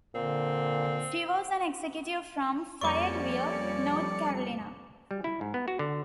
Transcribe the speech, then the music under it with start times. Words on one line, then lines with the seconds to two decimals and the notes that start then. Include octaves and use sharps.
She was an executive from Fayetteville, North Carolina.
0.15 A#2 D3 C4
2.81 F2 G3 A#3 C#4 D5 C#6 D6 C#7
5.11 G3
5.24 E4
5.41 G#2
5.54 B3
5.68 F#4
5.79 D3